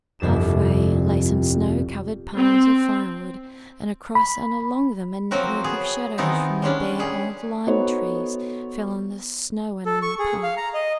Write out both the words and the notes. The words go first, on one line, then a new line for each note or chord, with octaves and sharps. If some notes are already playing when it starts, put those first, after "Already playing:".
Halfway lay some snow-covered piles of firewood and across and along them a network of shadows from the bare old lime trees fell on the snow and on the path.
G1 C2 F2 A6 E7
C4
B5
F3 F#3 C4 F#4 A#4
B3 G#4
D#3 E3 B3 C4 D#4
G3 G#3 C#4 D4
G3 G#4
B3 D#4 F#4 A4 C5 C#5
A4
C#6
G#4
F5
A#5
D#5